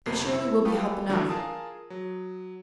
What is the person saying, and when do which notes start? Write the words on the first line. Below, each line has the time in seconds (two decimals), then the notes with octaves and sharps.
"They surely will be help enough."
0.06 G1 F2 C3 C7
0.33 E4 E6 C#7
0.65 F4 G4 A4 B4 D#6
1.09 D#2 A2 D3 E3 F#3 D4
1.29 F4 G#4 A#4 A5 D#6
1.90 F#3